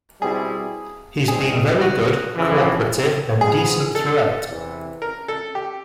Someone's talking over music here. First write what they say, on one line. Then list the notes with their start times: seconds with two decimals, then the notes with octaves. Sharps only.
He's been very good, co-operative and decent throughout.
0.21 B2 G3 C4 E4 G#4
1.28 G#2 E3 G3 C4 G#4
1.81 F#4
2.35 F2 C#3 E3
3.41 G#2 F3 G#3 B3 G#4
3.95 A4
4.49 E2 C3 E3
5.02 A#4
5.28 A4
5.55 G4